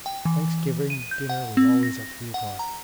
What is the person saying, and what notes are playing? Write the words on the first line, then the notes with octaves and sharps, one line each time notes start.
Thanksgiving dinner was always at three o'clock.
G5
E3
D#7
G6
F#5
C4
A#6
F#5
A#5